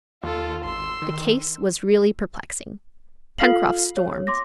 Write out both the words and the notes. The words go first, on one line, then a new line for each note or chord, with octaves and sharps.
The case was really perplexing. Pencroft stormed.
D#2 F4 A4
G#1 C6 E6
D#3
F4 A4 F5 F6 C7 F#7
C#5
C6 D6 A#6